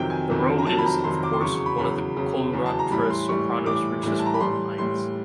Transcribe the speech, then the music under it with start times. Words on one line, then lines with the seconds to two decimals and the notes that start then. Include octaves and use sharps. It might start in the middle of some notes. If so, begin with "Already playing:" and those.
The role is, of course, one of the coloratura soprano's richest gold mines.
Already playing: F2 C3 D#3 F#3 G5
0.10 G#5
0.30 F2 C3 D#3 F#3
0.58 A#5
0.66 F2 C3 D#3 F#3 A5
0.78 B5
0.86 A#5
1.04 F2 C3 D#3 F#3 C6
1.23 D6
1.33 C6
1.41 E2 C#3 F#3 C#6
1.54 C#6
1.66 B5
1.78 E2 C#3 F#3 B5
2.17 E2 C#3 F#3
2.53 E2 C#3 F#3
2.66 A5
2.79 A#5
2.91 A2 E3 G3 B5
3.10 C6
3.28 A2 E3 G3 C#6
3.66 A2 E3 G3 D6
4.03 A2 E3 G3
4.19 A5
4.26 A#5
4.34 B5
4.40 A2 E3 G3 C6
4.78 A2 E3 G3 C6